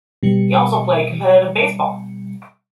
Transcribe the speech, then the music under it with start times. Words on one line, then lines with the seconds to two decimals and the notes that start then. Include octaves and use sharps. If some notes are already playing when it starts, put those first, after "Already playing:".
He also played competitive baseball.
0.23 B2 G3 C#7